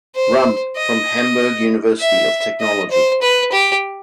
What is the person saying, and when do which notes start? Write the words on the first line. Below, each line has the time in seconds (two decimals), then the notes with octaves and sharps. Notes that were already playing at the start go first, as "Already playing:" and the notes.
Rump from Hamburg University of Technology.
0.15 C5
0.76 D#5
1.99 E5
2.60 D#5
2.91 C5
3.21 B4
3.52 G4